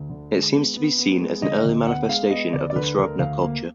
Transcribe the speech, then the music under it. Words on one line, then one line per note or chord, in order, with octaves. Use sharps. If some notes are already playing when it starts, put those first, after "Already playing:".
It seems to be seen as an early manifestation of the Srubna culture.
Already playing: D2
D3
G#3
B3
B3
B3
G#3
D3 D#5
D2 D#5
B3 F#5
G#3 F5
B3 D#5
D2 D5
D5
D3 B4
D2 A#4
D2 F5
A#3